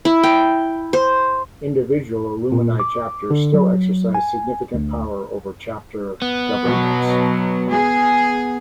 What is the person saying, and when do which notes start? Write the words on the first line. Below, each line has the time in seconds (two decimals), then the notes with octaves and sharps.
Individual alumni chapters still exercise significant power over chapter governance.
0.05 E4
0.23 G5
0.93 C5
2.52 A#2
2.80 D6
3.30 D3
3.54 F#3
4.15 G#5
4.74 D2
6.22 B3
6.66 B2 F#3
7.71 G#4